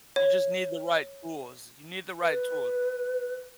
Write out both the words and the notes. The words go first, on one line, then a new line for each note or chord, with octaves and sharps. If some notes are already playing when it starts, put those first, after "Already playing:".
You just need the right tools. You need the right tools,
C#5
B4